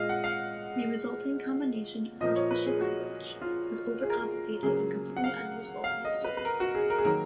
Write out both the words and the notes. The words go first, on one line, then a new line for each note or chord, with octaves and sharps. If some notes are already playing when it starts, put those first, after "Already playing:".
The resulting combination, an artificial language, was over-complicated and completely unusable by his students.
Already playing: A#2 G#3 D#5 F5
F#5
F5
A#2 F3 A#3 D#5
C#5
B4
G#4
F#4
F4
G#4
A#4
G#4
C#3 F#3 A#3 G#4
F#5
F5
F5
D#5
B4
B4
A#4
F#4
G#4
A#4
G#4
D#3 F#3 A#3 A#4